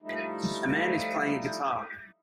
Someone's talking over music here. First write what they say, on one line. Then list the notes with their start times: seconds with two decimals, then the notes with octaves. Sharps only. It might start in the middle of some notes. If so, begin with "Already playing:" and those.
A man is playing a guitar.
0.02 F3 G3 A3 D#4 E4